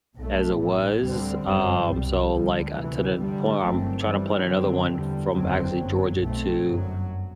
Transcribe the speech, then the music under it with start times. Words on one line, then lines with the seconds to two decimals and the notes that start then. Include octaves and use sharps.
as it was. Um, so like, uh, to the point I'm trying to plan another one from actually Georgia to,
0.17 B1 B2 A3
0.59 A1 A2 E3 B3
1.03 D2 D3 G3 C4
1.45 G1 F#2 D3 G3 C4
1.88 C2 B2 G3
2.32 D2 D3 G3
2.75 D2 C3 E3
3.18 G2 D3 G3
3.61 G1 F#2 E3 A3 C4
4.05 G2 E3 G3
4.47 F#2 D3 F#3 C4
4.90 E2 D3 G3
5.34 F#1 E2 D3 F#3 C4
5.77 G1 F#2 F#3
6.20 B1 B2 A3 C4
6.64 G1 F#2 F#3